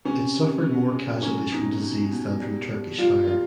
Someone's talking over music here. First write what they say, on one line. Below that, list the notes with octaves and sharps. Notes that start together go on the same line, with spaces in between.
It suffered more casualties from disease than from Turkish fire.
C3 C#4
C3
C3
C3
F#3 C#4
B2 D#4
B2
B2
G3
G3
G3 F4
G3 F4